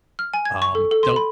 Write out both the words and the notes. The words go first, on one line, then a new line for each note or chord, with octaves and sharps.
um, don't
F6
G#5
G#6
C#6
A4
A4
C6
B5